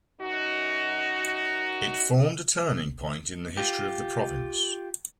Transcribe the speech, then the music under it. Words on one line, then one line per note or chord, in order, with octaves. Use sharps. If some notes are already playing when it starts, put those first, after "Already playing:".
It formed a turning point in the history of the province.
F#2 D#4 F#4
F4 G4